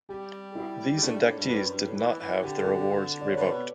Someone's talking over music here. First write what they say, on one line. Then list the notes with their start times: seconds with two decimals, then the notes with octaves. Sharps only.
These inductees did not have their awards revoked.
0.09 G3 G4
0.55 E4
0.98 G3
1.02 A3 D4
1.15 G3
1.26 A2
1.38 G2
1.49 G2 B4
1.61 F#2
1.73 G2
1.85 A2
1.96 E3
2.20 E3
2.43 D3 G4
2.58 A4
2.66 F#4
2.74 G4
2.90 A4
3.21 D5
3.29 C#5
3.37 D3 B4
3.51 B2